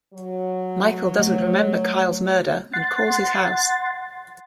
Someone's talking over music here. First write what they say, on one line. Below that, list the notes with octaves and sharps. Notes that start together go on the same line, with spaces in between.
Michael doesn't remember Kyle's murder and calls his house.
F#3
A3
F#5 C6 A6